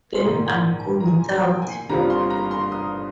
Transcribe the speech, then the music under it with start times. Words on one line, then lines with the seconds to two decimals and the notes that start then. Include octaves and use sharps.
Then I'll go without.
0.15 C6
0.24 A#1 G#2 D#3 A#5
1.00 A#5
1.07 G#5
1.34 G5
1.62 G#5
1.89 G1 G2 G3 C4 F4 A#5
2.10 C6
2.30 A#5
2.51 C6
2.72 D#6